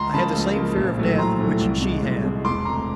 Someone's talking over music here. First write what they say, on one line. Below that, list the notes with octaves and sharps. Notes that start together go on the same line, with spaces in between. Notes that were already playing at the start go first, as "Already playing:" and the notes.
I had the same fear of death which she had.
Already playing: C#2 A#5 C6
C#3 F3 A#3 A5 B5
C#2
C#3 F3 A#3
A#1
A2 F#3 A3
A#1 A#5 C6
A2 F#3 A3
C2
B2 G#3
C2
B2 G#3
E1 C6 D6
D2 C3 A#5 C6